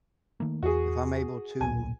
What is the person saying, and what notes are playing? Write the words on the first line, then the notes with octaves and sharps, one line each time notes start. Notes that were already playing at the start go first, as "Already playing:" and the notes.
If I'm able to
D#3 A3 A#3
E2 F#4 G#4
D1 B1 A#2 G#5